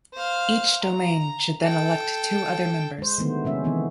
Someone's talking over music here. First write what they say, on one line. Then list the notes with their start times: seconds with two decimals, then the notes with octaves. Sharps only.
Each domain should then elect two other members.
0.14 C5 F5
0.83 A#5
1.61 A4 G5
2.98 G#3 C5
3.18 D3 D#3 F#3 G#3 A3 B3
3.44 C3 G#3 C#4 E5
3.64 D#3 E3 B3 C4